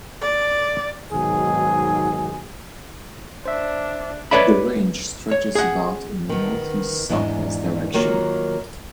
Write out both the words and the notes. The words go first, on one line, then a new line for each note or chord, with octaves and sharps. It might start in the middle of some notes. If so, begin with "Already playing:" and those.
The range stretches about in a northeast-southwest direction.
D5
G#2 B2 D#3 F#3 G#4
D4 C5 E5
B4 C#5 D5 E5 B5
C#5
G#4 F#5
D#3 B3
E2 G#2 D4 D#5
D#3 F#3 A#3 F4